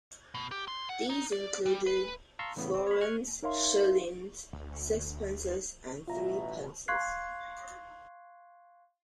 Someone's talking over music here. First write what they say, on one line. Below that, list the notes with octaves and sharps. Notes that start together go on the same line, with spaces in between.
These included florins, shillings, sixpences and threepences.
B2
G4
C6
F#5
D#4
D5
G3
B4
F5 A5 A#5 C6 C#6 E6
E2 A2 C#3 B3
C4
C#5 B5
C#6 F6 F#6 G#6
D#4 A#4 C#5 E5 F5 C6
D2
A1 B2 F4 E5 A#5
F5 C6 C#6 F#6 G#6 C7